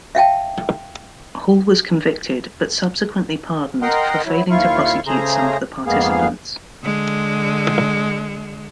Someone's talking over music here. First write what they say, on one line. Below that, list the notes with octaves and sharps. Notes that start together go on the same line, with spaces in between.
Hall was convicted, but subsequently pardoned, for failing to prosecute some of the participants.
E5 F5 G5 A5
A#4 D#5 F#5 G5 A#5 C6
F#3 E4
D#2 E4 F4 F5 C#6
C#3 A3 G#4 C5 A#5
F2 G#2 A#3 B3 G#4 F5
D3 G#3